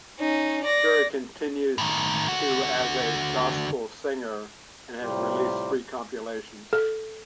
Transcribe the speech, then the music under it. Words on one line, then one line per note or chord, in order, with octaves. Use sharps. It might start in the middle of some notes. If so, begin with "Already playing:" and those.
Berry continues to as a gospel singer, and has released three compilations.
C#4 D#4
D5 A#6
A2 D#3
D3 F#4
A2 C3 G3 F4 G4
A4